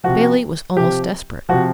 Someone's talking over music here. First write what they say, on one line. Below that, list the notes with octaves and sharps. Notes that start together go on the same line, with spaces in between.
Bailey was almost desperate.
C3 F3 F#4
C3 F3 G4
C3 F3 F#4